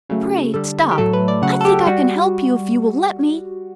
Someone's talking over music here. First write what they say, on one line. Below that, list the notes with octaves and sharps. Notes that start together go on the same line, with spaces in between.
"Pray, stop; I think I can help you if you will let me."
C#3 F#3 A3
D3 G3 A4
G4
A2 F#3 A3 A4
B4
D5
C#3 F#3 A3 F#5
A4
G4
G3 F#4